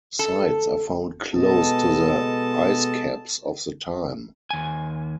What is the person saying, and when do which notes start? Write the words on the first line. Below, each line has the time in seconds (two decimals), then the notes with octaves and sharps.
Sites are found close to the ice caps of the time.
0.19 A4
1.33 B2 G#3 B3 A4 D#5 A5
4.51 D#2 G#5